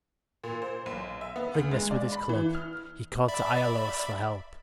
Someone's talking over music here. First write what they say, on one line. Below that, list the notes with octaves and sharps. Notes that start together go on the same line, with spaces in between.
Killing this with his club, he called to Iolaus for help.
A#2
C5
B1
E5
B3
D2
G#3
D5
B5
E3
F6
D5 E5 B5